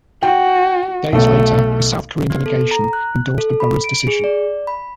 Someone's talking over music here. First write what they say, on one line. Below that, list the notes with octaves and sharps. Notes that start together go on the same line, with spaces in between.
Days later, a South Korean delegation endorsed the borough's decision.
F#4 G5
B1 A3
B3
A4
A#5
F#6
A4
B5
D7
G#4
D5
B5